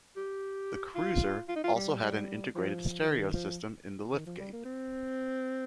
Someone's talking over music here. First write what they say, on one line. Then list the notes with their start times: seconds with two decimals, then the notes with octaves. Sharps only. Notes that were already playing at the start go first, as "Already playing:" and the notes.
The Cruiser also had an integrated stereo system in the liftgate.
0.17 G4
0.95 F4
1.49 F4
1.56 D#4
1.64 F4
1.75 G3
2.02 G3
2.55 F3
3.01 F3
3.08 D#3
3.34 F3
4.13 D#3
4.26 F3
4.39 G3
4.53 A#3
4.65 C4